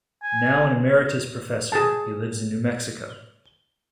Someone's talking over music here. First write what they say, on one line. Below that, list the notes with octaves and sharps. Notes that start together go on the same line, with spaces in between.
Now an Emeritus Professor, he lives in New Mexico.
G#5
G#4 A5